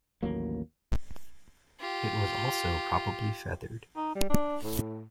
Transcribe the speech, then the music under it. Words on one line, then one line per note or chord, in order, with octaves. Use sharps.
It was also probably feathered.
A1 D#2 F#3 A#3
F4 G4
D#4
G3
D4
A2